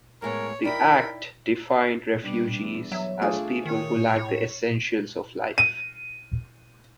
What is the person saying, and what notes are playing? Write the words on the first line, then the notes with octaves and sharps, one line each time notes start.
The act defined refugees as people who lack the essentials of life.
A2 G#3 B3 A#4 C#5
D#4 E4 A#4 D5 G5 B5
B2 G3 D4
E2
F#3 E5
A3 D4 F4 G#4
D#3 C#5
A2
D#7